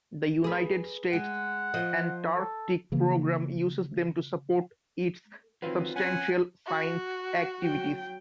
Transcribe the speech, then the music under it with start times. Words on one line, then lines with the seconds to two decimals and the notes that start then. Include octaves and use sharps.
The United States Antarctic Program uses them to support its substantial science activities.
0.44 G#4 B4
1.13 G#3 F#5
1.74 F3 D#5
2.35 A4
2.92 C#3 E3 A#3
5.62 D#3 E3 F#3 C4 F4 B4
5.96 C#4 F#5 G#5
6.66 F#4
7.60 F#3 G5